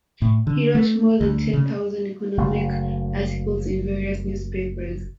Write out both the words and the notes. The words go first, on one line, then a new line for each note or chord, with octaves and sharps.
He wrote more than ten thousand economic articles in various newspapers.
A2
D3
A3
D2
C#3
F#1 C#3 A3